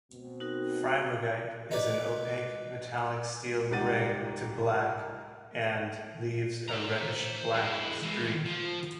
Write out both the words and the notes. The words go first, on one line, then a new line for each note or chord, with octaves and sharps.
Freibergite is an opaque, metallic steel grey to black and leaves a reddish-black streak.
B2 C4
D#4 F#4 A#4
D#4 B4 D5
C2 G#2 G4 F#5 A6 D#7
C5 A#5
G#3 E4
E3 G#3
F3